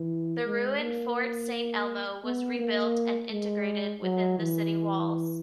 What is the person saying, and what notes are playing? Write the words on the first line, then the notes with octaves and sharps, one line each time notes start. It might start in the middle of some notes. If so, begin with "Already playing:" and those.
The ruined Fort Saint Elmo was rebuilt and integrated within the city walls.
Already playing: E3
G#3
A#3
B3
A#3
G#3
F#3
E3